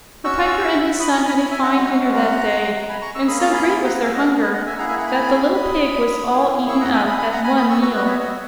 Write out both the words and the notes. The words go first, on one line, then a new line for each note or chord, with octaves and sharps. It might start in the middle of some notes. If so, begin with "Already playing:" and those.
The piper and his son had a fine dinner that day, and so great was their hunger that the little pig was all eaten up at one meal!
C#4 F#4 C#6 E6
B5 D#6
A#5 C#6
G#5 B5
G#5 B5
E5 G#5
F#5 A#5
G#3 C#4 F#4
F#5 A#5
A#5
G#5 B5
A#5 C#6
C#6 E6
A#3 C#4 G#4 B5 D#6
A#5 C#6
G#5 B5
G#5 B5
F#5 A#5
E5 G#5
D#5 F#5
B4 D#5
D#5 F#5
E5 G#5
A#3 E4 G#4 F#5 A#5
E5 G#5
F#5 A#5
G#5 B5
B5 D#6
A#3 E4 G#4
C#6 E6
F#5 A#5
E5 G#5
B5 D#6
G#5 B5
F#5 A#5
G#5 B5
B5 D#6
C#6 E6
F#4 A#5 C#6
B3
B4 D#5
C#5 E5
D#5 F#5